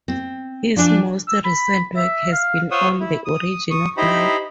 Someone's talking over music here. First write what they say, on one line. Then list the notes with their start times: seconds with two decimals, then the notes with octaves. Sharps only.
His most recent work has been on the origin of life.
0.08 C4
0.76 F3 D4 G#5
1.28 E6
1.45 B5
1.97 E5
2.33 F5
2.71 F4 C5 C#5 F#5 D#6 E6
3.00 E4
3.25 D#6
3.70 C#6 D#6
3.97 D#4 E4 G4 C5 A#5 B5